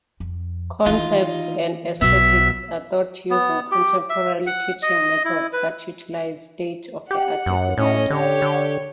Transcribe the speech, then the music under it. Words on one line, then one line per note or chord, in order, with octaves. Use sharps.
Concepts and aesthetics are taught using contemporary teaching methods that utilize state-of-the-art equipment.
F2
D#3 E3 D#4 F4
B1 B2 F#3 B3 E5
B3
G4
E5
F#5
D#5
E4
B4
G4 F#5
F#2
A2 C#4 D#5
D3 G4 C#5
D3